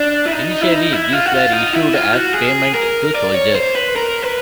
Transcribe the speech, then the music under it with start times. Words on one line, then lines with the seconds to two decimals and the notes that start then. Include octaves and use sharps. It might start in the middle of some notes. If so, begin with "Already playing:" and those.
Initially, these were issued as payment to soldiers.
Already playing: D4
0.26 E4
0.32 D#4
0.61 E4
0.72 D#4
0.92 E4
1.13 F4
1.26 F#4
1.33 F4
1.53 D#4
1.73 E4
1.94 F4
2.14 F#4
2.35 G#4
2.75 A#4
3.15 D5
3.35 C#5
3.55 C5
3.75 B4
3.96 A#4
4.22 B4